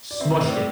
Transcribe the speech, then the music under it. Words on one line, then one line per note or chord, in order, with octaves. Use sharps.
smooshed it,
D5
C4 E5
A2 C5
D5